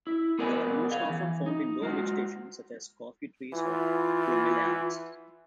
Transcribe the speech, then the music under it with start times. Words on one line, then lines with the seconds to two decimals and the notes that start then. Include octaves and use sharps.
They are most often found in low vegetation such as coffee trees or bromeliads.
0.07 E4
0.39 B3 G#4 A#4 B4 D5 G#5
0.91 G#4 F5
1.10 E3
1.46 D#4
1.82 G#3 F4 F#4
3.53 E3 F4